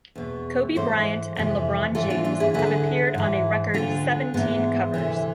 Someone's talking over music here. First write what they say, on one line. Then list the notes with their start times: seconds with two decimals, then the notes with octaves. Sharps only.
Kobe Bryant and LeBron James have appeared on a record seventeen covers.
0.15 E2 B2
0.75 G#2 E3 A4 C5
1.35 F2 C3 E3
1.95 G#2 E3 F4 A4
2.10 D4 F4
2.25 D4 F4
2.40 E4 G#4
2.54 D2 D3 G#4 B4
3.14 G#2 E3
3.74 D2 D3 F4 A4
4.34 G#2 E3 G#3 B3
4.94 D2 C3 E3